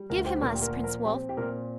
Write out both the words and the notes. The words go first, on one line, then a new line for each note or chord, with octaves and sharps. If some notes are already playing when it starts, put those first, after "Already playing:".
'Give him us, Prince Wulf!
Already playing: G3
D2 A#4
G4 C5
G4
A#2 A#4
G4
A#4
F3
A#4
C4 G4
G4
A#2 A#4